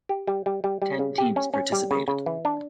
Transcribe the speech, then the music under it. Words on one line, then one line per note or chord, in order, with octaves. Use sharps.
Ten teams participated.
G4
G3
G3
G3
G3
C#3
G4
C#4
C#4
G3
C#3
C#3
E3
D4